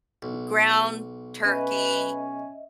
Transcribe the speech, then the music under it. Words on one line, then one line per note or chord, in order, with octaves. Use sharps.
m ground turkey,
B1
C#4 B4 D#5 E5